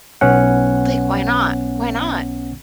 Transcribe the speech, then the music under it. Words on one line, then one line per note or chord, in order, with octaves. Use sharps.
Like, why not? Why not?
B1 B3 C#4 F#5